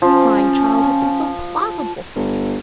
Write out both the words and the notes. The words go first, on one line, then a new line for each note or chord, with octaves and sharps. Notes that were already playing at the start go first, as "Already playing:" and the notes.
The crying child had been so plausible!
F3 C#4
G1